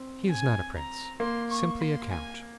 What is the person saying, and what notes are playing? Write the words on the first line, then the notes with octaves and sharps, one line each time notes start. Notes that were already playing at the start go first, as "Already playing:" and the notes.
"He is not a prince; simply a count."
Already playing: C4
G#5
A#5
A#3 C6
C#6
C6
G#5